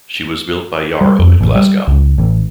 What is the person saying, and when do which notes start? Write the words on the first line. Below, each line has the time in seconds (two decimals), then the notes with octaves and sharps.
She was built by Yarrow at Glasgow.
1.01 G3
1.19 F2
1.41 A1
1.55 G3
1.87 C#2
2.18 A1